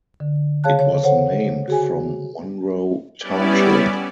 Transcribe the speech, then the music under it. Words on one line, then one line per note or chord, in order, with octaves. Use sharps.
It was named from Monroe Township.
D3
C#3 G#4 C#5 F5 A5 F#6
C#5
A4 C5 C#5 F#5
F#4 G#4 G#5
G3 B3 C#4 E4 D5